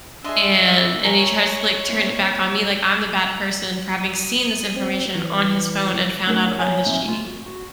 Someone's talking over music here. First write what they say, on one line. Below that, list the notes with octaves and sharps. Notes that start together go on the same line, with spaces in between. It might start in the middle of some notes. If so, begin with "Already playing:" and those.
And and he tries to, like, turn it back on me, like, I'm the bad person for having seen this information on his phone and found out about his cheating.
D4 G#4 D#5 E5 C6
A#4 C#5 G#5 C#6
A#3 C4 E4
D#6
C4
E3
A3 C#4 D#4 A#4 C5 D5
F#3 G#5
G#3 A#3 C4 D#4 E5 G#5
A3 F4
F#4
F#4